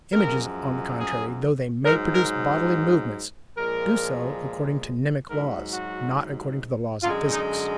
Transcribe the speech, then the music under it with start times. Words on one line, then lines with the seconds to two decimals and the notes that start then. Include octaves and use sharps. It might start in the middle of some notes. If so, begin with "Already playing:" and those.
Images, on the contrary, though they MAY produce bodily movements, do so according to mnemic laws, not according to the laws of physics.
0.12 F#2 F3 G#3 A#4
0.98 G#4
1.85 G#2 F#3 A#4
2.14 A#4
3.57 A#2 F3 G#3 A#4
5.29 G#2 F#3 A#4
5.73 F#4
7.02 F#2 D3 G#3 F4
7.31 D#4